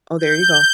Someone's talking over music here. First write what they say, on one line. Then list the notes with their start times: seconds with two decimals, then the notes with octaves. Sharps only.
Oh, there you go.
0.19 G6